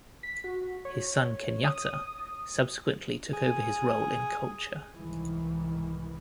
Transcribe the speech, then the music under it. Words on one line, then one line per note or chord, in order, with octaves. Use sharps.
His son Kenyatta subsequently took over his role in Culture.
B6
F#4
C#5
D#6
G#4
C2 G#2 D#3 E3